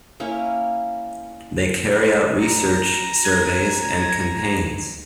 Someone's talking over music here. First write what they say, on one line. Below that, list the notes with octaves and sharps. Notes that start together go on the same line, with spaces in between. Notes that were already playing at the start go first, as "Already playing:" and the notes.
They carry out research, surveys and campaigns.
A#3 C#4 E4
A#5
G#6